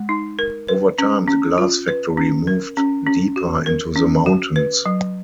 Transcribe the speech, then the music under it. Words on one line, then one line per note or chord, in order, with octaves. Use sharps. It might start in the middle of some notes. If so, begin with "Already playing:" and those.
Over time the glass factory moved deeper into the mountains.
Already playing: G#3
D#4
A#4
B4
C#4
C#4
F4
B4
C#4
A#4
C#4
C#4
F#4
A#4
C#4
F#4
B4
F#3